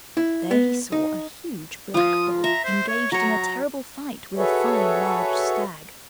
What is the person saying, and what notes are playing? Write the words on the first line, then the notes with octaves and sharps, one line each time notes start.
There he saw a huge black bull engaged in a terrible fight with a fine large stag.
E4
B3
D#4
F3 F4 D#6
E5 A#5
C5
C#5
F#3 C#5 A#5
F#4 G#4 A4 B4 C#5 E5